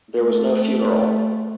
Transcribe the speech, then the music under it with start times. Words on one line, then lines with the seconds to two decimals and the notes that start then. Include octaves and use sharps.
There was no funeral.
0.19 A3